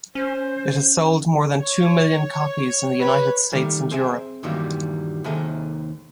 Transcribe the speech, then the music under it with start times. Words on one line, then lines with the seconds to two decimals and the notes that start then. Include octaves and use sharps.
It has sold more than two million copies in the United States and Europe.
0.15 C#4 C5
1.59 C#5
2.99 B4
3.52 D#3 G3 A3
3.91 C4 G#4 E5
4.43 G2 A#2 D#3 E3 F#3 G3
5.24 D#2 C3 D#3 G#4 A4 E5